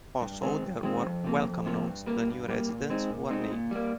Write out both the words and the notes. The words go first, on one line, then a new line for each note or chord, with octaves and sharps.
Also there were welcome notes to new residents who were named.
G2
D#3 G#3 C4
G2
D#3 G#3 C4
F2
C3 F3 A#3
F2
C3 F3 A#3
G2
G3 A#3
G2
G3 A#3
A#2
G#3 C4 D#4
A#2
G#3 C4 D#4
A#2
G3 A#3